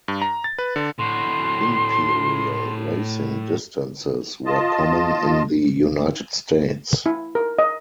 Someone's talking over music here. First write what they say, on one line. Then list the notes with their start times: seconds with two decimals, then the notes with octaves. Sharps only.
Imperial racing distances were common in the United States.
0.08 G2
0.22 A#5
0.44 A6
0.58 B4
0.76 D3
0.99 A2 F#4 C6
4.46 F4 D#5 A5
7.06 E4
7.35 A#4
7.59 D#5